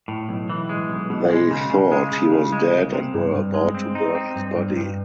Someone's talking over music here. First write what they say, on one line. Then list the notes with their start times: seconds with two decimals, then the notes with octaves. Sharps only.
They thought he was dead and were about to burn his body.
0.08 A2
0.29 B1
0.50 E3
0.69 G#3
0.90 B1
1.10 B2
1.30 G#3
1.51 C#3
1.71 C#3
1.92 G#3
2.12 C#3
2.32 C#3
2.53 G#3
2.73 C2
2.93 C3
3.14 G2
3.34 G2
3.54 G#3
3.75 C4
3.95 D#4
4.15 C4
4.36 G2
4.55 G2
4.77 G2